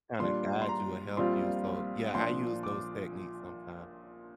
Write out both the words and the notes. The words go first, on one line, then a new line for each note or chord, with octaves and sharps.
kinda guide you or help you, so, yeah, I use those techniques sometimes.
A#2 G3 D4 C6
C6
A#5
A#1 A#2 G3 C4 F4 C6
A#1 A#2 F3 D4 C6
D6